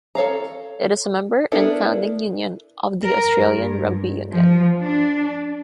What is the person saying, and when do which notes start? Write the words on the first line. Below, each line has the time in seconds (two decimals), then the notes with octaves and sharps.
It is a member and founding union of the Australian Rugby Union.
0.15 A4 C#5 F5 A#5
1.52 B3 D4 E4 A4 A#4
3.05 A#4
3.39 G2
4.33 F3
4.79 D4